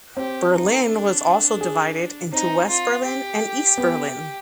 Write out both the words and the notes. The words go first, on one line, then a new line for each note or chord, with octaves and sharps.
Berlin was also divided, into West Berlin and East Berlin.
C4 G4
D#4
D4
G#4
C4 D#4
F4
G4
B3